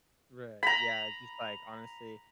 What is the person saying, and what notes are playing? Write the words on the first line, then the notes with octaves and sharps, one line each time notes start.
Right, yeah, just, like, honestly,
A#5 B5